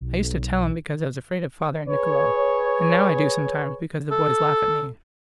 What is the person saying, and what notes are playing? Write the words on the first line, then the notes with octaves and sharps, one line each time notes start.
I used to tell 'em because I was afraid of father and Nicolo, and now I do sometimes because the boys laugh at me.
B1
G#4 B4 C#5
A4